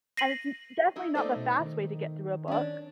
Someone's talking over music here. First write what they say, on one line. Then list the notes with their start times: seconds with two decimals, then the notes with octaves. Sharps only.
and it's d definitely not the fast way to get through a book,
0.17 A#6 C7 D#7 F#7
0.96 D#4 E4
1.15 A3 D#4 C5 D5
1.36 B2
1.59 D#3
2.48 C#4 D4